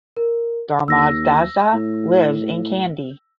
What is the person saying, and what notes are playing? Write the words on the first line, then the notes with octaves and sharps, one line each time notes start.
Dharmadasa lives in Kandy.
A#4
D#2 E6 A#6
A2